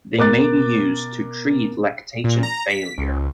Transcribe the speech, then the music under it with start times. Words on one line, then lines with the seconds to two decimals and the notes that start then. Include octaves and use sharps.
They may be used to treat lactation failure.
0.17 B2 A#4 D6 F#6 A6
2.24 A#2
2.43 A#5
2.70 B6
2.98 C#2